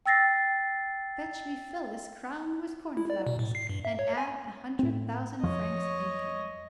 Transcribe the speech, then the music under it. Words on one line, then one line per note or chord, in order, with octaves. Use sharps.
Fetch me Phyllis crowned with corn-flowers, and add a hundred thousand francs income.
G5 E6 A6 A#6 C7
E4
D5
B2
A2
C7
G2
E5
C#5
G#5
A2 C4
F2 F3 C#5 D#5